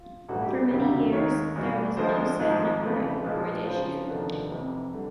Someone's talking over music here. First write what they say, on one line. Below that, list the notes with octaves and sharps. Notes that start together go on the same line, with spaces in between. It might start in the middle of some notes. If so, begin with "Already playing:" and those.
For many years, there was no set number of awards issued.
Already playing: F4
A1 G2 E3 A3 F#4
G4
F1 D#2 C#3 F#3 G4
D#2 D#3 G#3 C#5
E2 B2 G3
D2 D3 F3 G#3 C5
G#1 G#2 F3 G#3
F2 C#3 E3 A3
A#1 A#2 F3 G#3 B4
F#2 C#3 F3 C5
F1 D#2 D3 F3 B4
F1 F2 C3 E3
D3 G3